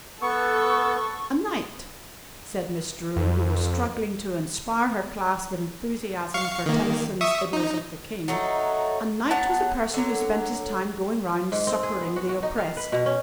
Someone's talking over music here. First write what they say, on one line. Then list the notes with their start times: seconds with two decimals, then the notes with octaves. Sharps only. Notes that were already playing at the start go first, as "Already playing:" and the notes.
"A knight," said Miss Drew, who was struggling to inspire her class with enthusiasm for Tennyson's "Idylls of the King," "a knight was a person who spent his time going round succouring the oppressed."
0.22 B3 A4 B4 C#6
3.16 F2
6.34 F5 C#6
6.66 D#3 A#3
7.21 E5 C#6 D#6
7.53 D#4
8.28 F#3 A3 D#4
9.31 F#3 B3 F#5 A5
9.94 D3 F#3
11.52 G#2
11.67 C4
11.83 G#4
12.01 B3
12.16 F#4
12.29 F#4
12.43 D#4
12.58 F5
12.77 B4
12.92 B2
13.06 C#4